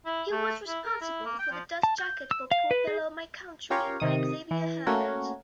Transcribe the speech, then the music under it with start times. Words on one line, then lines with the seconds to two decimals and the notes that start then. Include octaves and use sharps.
He was responsible for the dust-jacket for "Poor Fellow My Country" by Xavier Herbert.
0.06 E4
0.32 A3
0.67 E4
0.85 A#4
1.01 E4
1.25 A#3
1.39 G5
1.51 F3
1.83 A5
1.98 G6
2.31 E6
2.51 F5
2.71 B4
2.87 G#4
3.70 C#4 F4 G4 A#4 C#5 F5
4.00 C3 D#3 D#6
4.51 E3
4.86 A3 A#3 C#4 F#4 A#4 C#5